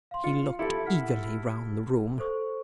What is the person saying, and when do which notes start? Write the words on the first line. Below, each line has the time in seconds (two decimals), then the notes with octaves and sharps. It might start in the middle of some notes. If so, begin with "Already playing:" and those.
He looked eagerly round the room.
0.11 F5 C6
0.24 F4 C#7
0.59 E4 G4 A4 B5 C#7
0.86 F#5 F6 B6
2.19 A4 C5 C#6